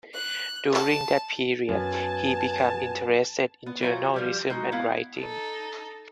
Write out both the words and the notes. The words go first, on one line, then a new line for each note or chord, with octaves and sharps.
During that period he became interested in journalism and writing.
F#6
A5
F#2 B3 G#5 A5
B3
E3 F#3 F4 C5 F#5
F3 G3 G4
B2 G#3 D#4 F#4
B3 E4 F5 F#5
D#4 A4